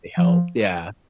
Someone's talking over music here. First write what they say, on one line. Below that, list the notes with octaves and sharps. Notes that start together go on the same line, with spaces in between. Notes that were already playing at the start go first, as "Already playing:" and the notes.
they helped yeah.
F3